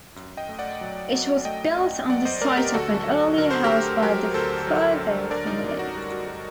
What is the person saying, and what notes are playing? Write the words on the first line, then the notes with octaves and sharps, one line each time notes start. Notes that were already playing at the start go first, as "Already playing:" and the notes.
It was built on the site of an earlier house by the Furtho family.
F#2
D#5 G5
A3
D5 F#5
F#3
F#3
A3 D#5 G5
F#2
F#3 D5 F#5
C5 D#5
A3 A#4 D5
G4 A#4
D2 F#4 A4
F#3
D3 A#4
C5
G4 A#4
A3
F#3 G4 A#4
D2 A4 C5
F#3
D3
D4 A#4 D5
D#4
F#2
F#4
G3
F#4
G3 F#4